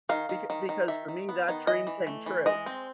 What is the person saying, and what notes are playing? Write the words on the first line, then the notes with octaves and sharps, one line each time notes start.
beca because for me that dream came true.
D#3 F5
D#3
D#3
D#3
D#3 E5
D#3
B3
D#3
E3 D#5
E3
A3
E3
G#3 D#5
C4